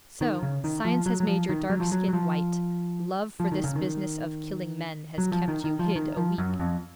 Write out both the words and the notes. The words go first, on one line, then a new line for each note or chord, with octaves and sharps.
'So! Science has made your dark skin white; love for this business of killing men has kept you hid a week.'
D#3
C#3
D#3
F3
F#3
F#3
F3
D#3
F#3
F3
F#3
F#3
F3
F3
D#3
C#3
D#3
F#3
F3
D#3
D#3
F3
D#3
F3
F#2
F2